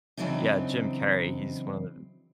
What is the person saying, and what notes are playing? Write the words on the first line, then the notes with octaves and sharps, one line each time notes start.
Yeah, Jim Carrey. He's one of the,
C#3 E3 F#3 C4 D4 D#4